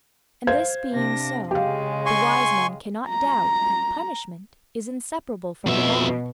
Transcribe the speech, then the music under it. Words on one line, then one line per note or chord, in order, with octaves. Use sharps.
And this being so, the wise man cannot doubt that punishment is inseparable from the bad.
C5 F5 G#6
C3 D4 A#6
C#3 G#3 G4 F5
G#5 C6 C#6
A#5
F2 B2 E5